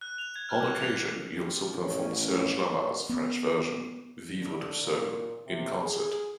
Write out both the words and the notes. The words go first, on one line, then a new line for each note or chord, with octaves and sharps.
On occasion he also performed Serge Lama's French version, "Vivre tout seul", in concert.
F#6
F7
G#6
F6
D6
F7
F3 C4
A1 C#4
G#1 D3 D4
B3
D3
A#2
C3
G#4